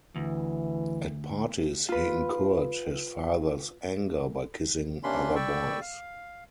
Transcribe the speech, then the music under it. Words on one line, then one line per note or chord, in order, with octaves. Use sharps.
At parties he incurred his fathers anger by kissing other boys.
D2 E3
F4 B4
C3 A#3 C#4 D4 B5 C6
D5 G5 B5 C#6 E6
F5